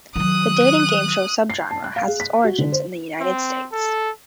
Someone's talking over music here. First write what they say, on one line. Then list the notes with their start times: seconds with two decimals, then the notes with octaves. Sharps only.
The dating game show subgenre has its origins in the United States.
0.16 D#3 F#3 D#6 F#6
1.50 C7
1.71 A5
1.84 F#6
1.96 F5
2.08 G#4
2.20 B6
2.44 F#4
2.58 D3
2.72 C5
3.21 C4
3.72 A4